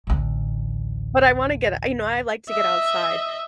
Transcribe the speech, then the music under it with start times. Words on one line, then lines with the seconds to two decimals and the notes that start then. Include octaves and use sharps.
but I wanna get you know, I like to get outside,
0.07 A1 D2
2.49 D#5 E5